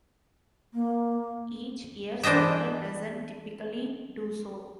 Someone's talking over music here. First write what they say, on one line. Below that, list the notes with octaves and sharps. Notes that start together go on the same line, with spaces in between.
Each year several dozen typically do so.
A#3
E3 D4 C5 D#5 E5